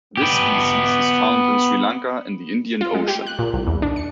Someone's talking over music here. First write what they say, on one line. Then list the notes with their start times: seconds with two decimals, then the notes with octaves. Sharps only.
This species is found in Sri Lanka, in the Indian Ocean.
0.17 B3 G4
2.81 F4
2.94 G#3
3.07 G4
3.26 F#6
3.39 A#2
3.53 C2
3.67 E2
3.82 D4
3.96 C#7